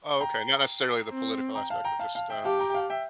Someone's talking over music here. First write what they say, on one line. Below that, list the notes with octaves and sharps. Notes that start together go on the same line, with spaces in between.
Oh, okay, not necessarily the political aspect, but, just, um,
G5 A#5
C4
G5 A#5
F5 A5
G5 A#5
F5 A5
F5 A5
E5 G5
G4 F5 A5
G5 A#5
G5
F5 A5
E5 G5